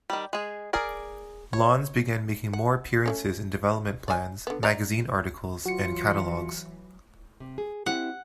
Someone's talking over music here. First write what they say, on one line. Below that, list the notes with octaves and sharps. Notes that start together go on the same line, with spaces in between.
Lawns began making more appearances in development plans, magazine articles, and catalogs.
D#3 G3
G#3 G#4
G#4 A#4 D5
C#5
F#5
A3 A#3 C#4
D5 G#5
D3 B3
D5 A#5
E3 F#3 F4 F#4 C#7
C3
G#4
C4 E4 G4 F#5